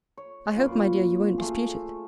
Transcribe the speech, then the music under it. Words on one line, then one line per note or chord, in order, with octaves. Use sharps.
I hope, my dear, you won't dispute it.
C#5
F#2 A#2 F4 B4
A3 F4 G#4